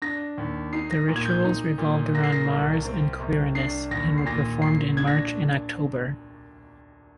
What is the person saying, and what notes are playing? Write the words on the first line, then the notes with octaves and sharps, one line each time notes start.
The rituals revolved around Mars and Quirinus, and were performed in March and October.
D4 A#6
D#2
D#4 C7
A#6
A#2
G#6
G6
D#4
A#2
A#3 A#6
C7
A#6
C2
C4
C2
D4 C7
D#2 A#6
C7
A#2 A#6
A#2 C7
D4 G#6
A#6